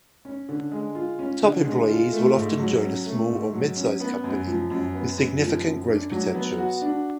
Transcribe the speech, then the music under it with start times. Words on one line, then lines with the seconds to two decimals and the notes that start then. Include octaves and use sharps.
Top employees will often join a small or mid-size company, with significant growth potentials.
0.25 C#4
0.49 D3
0.72 G#3
0.95 F4
1.19 C#4
1.42 D3
1.66 G#3
1.89 F4
2.12 A3
2.36 G#2
2.59 F#3
2.83 C#4
3.06 A3
3.30 G#2
3.53 F#3
3.77 C#4
4.00 B3
4.24 F#2
4.47 F3
4.71 F#2
4.94 B3
5.18 F#2
5.41 F3
5.64 F#2
5.88 D4
6.12 F#3
6.35 B3
6.58 F#4
6.82 D4